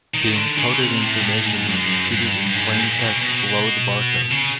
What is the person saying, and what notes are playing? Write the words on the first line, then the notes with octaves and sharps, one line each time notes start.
The encoded information is repeated in plain text below the barcode.
D#3
D3
C#3
C3
A2
A#2
A2
G#2
F#2
G2
G2
G#2
A#2
B2
B2
C#3